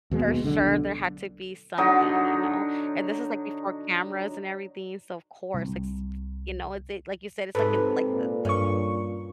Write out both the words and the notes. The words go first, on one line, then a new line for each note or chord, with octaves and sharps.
for sure, there had to be something, you know? And this is, like, before cameras and everything, so, of course, like, s f you know, it's it like you said, it's like, in like, the the
D#2 B2 G#3
B1 D3
D3 F#3 D#4
C2
G#2 C3 A4 B4
A#2
G2 C#4 C#6